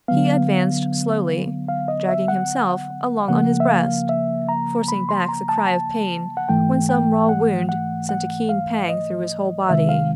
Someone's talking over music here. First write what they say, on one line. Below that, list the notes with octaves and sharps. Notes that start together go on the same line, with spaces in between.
He advanced slowly, dragging himself along on his breast, forcing back the cry of pain when some raw wound sent a keen pang through his whole body.
D3 F#3 B3 F5
F5
D#5
E5
F#5
C#3 F3 A#3 F#5
E5
F5
E5
A#5
B5
C6
A#5
A5
A#5
A5
F#5
G#2 E3 A3 G5
G5
F#5
F#5
F#5
F5
D#5
C2 C3 D#3 G#3 E5
F5